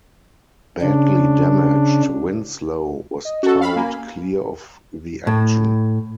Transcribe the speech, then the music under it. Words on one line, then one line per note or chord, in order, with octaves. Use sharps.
Badly damaged, "Winslow" was towed clear of the action.
C#3 D4
D#5
C#4 F#4 A4
F5 B5
A#3 G#5
A2